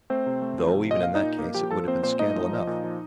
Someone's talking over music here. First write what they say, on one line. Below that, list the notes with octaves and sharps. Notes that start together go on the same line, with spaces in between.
Though, even in that case, it would have been scandal enough.
A3 C4 C5
C3
A3
F3
C3
A#2 D#5
A#2 F5
D#4 D#5
A#2
A#3
F3 G4 G5
F3 A4 A5
A#3 C4 C5
A#2 C4 C5
A3 D#4 D#5
F3
F3
A#2
F3